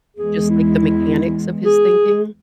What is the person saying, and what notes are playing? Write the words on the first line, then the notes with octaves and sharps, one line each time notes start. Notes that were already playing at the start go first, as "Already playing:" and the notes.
just like the mechanics of his thinking
E2 G#3 G#4
E4
G#4